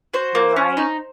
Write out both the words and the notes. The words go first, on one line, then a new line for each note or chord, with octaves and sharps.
You're right.
F#4 C5
A#3
C#4
D#4